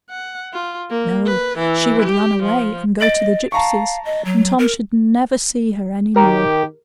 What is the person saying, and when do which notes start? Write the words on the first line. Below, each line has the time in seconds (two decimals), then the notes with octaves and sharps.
No! she would run away and go to the gypsies, and Tom should never see her any more.
0.10 F#5
0.53 F4
0.90 A#3
1.26 B4
1.58 E3
2.02 G4
2.43 F3
3.01 D#5 A6 D7 F#7
3.52 F5 A5 A#5 C#6
4.05 D#5
4.25 F#3
4.59 A#4
6.16 D#3 G4 A#4